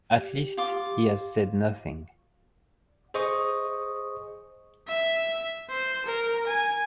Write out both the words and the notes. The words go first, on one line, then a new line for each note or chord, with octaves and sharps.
At least, he has said nothing.
G4
F4 D6
G#4 C5 D#5 C#6 D#6
E5
C5
A#4
G#5